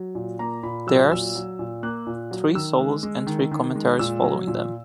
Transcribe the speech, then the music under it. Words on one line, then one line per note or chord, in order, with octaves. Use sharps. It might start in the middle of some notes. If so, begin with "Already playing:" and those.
There are three solos and three commentaries following them.
Already playing: F#3
A#2
A#3 A#5
A#2 B5
F#3 E6
A#2 E6
F#3
A#2
A#3 F#6
A#2
F#3
D#3 E6
G#3
G#3
D#3
D#3
G#3
A#2 E6
F#3
A#2